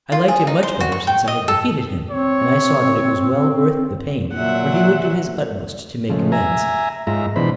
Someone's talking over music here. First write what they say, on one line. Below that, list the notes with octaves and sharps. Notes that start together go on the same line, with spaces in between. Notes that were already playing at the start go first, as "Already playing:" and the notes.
I liked him much better since I had defeated him; and I saw that it was well worth the pain, for he would do his utmost to make amends.
F4
G#4
D#4
C5
F#4
C#6
G5
D#5
A4
C4 C#5
A#2 F#3 E5 F#5
C#3 F3 G#3 A3
E5 G#5 A#5
G#2 G#3 F4 E5 A#5
B2 E3 G#3 D4 C5 B5